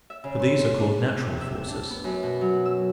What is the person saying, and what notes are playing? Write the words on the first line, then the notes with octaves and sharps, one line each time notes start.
For these are called "natural" forces.
E5
C#3
C6
D4
C3
E5
D4
B3
F#2
B2
F#3
E6